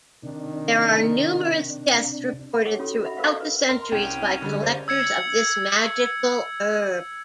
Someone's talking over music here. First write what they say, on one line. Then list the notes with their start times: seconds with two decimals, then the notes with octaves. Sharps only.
There are numerous deaths reported throughout the centuries by collectors of this magical herb.
0.23 C3 D#3 D4
2.66 C#5 F#5 G5 D6
2.79 C#4 F4 F#4 A4
3.04 D#5 E5 F#5 B5
3.17 A4 A#4 C5 F5 F#5
3.36 B4 D#5
3.69 A#4 C6
3.92 C2 C#4 G5
4.42 D3 G3 G#3
4.63 C5 D5
4.88 E6 G#6 C#7